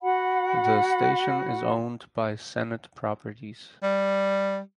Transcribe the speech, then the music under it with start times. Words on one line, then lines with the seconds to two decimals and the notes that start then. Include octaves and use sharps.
The station is owned by Senate Properties.
0.01 F#4 F#5 B5
3.83 G3